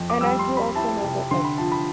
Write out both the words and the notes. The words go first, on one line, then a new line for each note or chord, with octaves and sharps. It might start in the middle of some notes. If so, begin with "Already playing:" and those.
And I do also know that, like,
Already playing: F2
D6
G3 E6
C6
C4
B5
E4 A5
C3
D3 C6
B5
F3 A5
B5